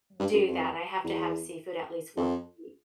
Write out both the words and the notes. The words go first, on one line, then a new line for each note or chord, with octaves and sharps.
do that, I have to have seafood at least once a week.
G2
F#2
F2
E2
F2